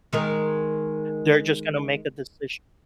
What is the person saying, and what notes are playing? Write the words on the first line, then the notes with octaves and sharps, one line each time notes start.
They're just gona make a decision
D#3 G#3 A#4